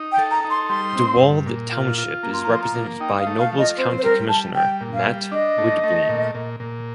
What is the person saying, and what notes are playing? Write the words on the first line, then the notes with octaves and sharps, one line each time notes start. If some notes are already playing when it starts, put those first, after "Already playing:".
Dewald Township is represented by Nobles County Commissioner Matt Widboom.
Already playing: D#4
G5
A4
A#5
D#4
C6
G3 C6
C4
G2
A#2
F4
F4
A#3 A#5
C6
A#5
F3 C6
A#5
A#3
D#4 G5
F5
A3
F5
F3
D#5
C4 C5
C5
G3 A#4
G3 A5
G3 G5
A#2
F5
G3
D4 D#5
A3
A3
A#2
A#2
A#2